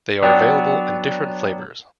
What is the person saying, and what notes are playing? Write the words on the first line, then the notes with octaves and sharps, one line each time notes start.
They are available in different flavors.
F#3 B3 D4 D5 G5